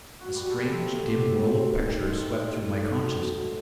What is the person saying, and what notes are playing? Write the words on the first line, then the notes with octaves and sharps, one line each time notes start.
A strange, dim whirl of pictures swept through my consciousness.
F#4
G3
A4
C4
A2
A2
G4
F#3
F#3
C4
D#3
D#3
C4
C3
D#4
D#4
A2
A4
D#4
F#3
F#3
C4
A2